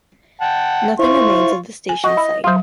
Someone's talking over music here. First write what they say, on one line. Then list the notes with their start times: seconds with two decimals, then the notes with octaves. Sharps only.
Nothing remains of the station site.
0.41 F#5 G5 A5
0.99 E4 F4 C5 C#6
1.89 G#5
2.04 F#4 D#5
2.17 E4
2.44 F#3 F4 C5 F5